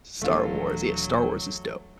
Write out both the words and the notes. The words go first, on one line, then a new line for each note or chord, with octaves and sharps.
Star Wars, yeah Star Wars is dope.
D#1 E3 F#3 A3 D4 F4